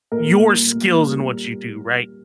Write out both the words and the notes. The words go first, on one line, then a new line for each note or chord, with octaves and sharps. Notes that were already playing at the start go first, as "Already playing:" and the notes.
your skills and what you do, right?
A#2 A#4
G3
A#2
G3